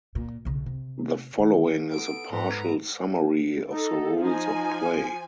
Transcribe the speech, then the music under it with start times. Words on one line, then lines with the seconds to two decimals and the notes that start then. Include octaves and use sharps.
The following is a partial summary of the rules of play.
0.15 A#2
0.45 B1 C#3
0.66 C3
1.38 D#3
1.91 B3 A4 D7
2.32 G#2 B4 A#5
3.69 D#4 A4
4.20 F3 D#4 G#5